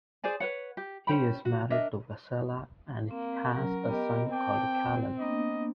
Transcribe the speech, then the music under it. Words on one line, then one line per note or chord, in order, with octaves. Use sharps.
He is married to Vessela and has a son called Kalin.
G#4 C5 D5 G#5
B4 C#5 F#5
G4
C#4 C5 G5 B5
F#4
D4 A#4 D#5 E5
A#3 C4
F#3 C#4 A#4
B3 G4 D#5
C4 G5 A5 D6
A#3 B3 D4 D#5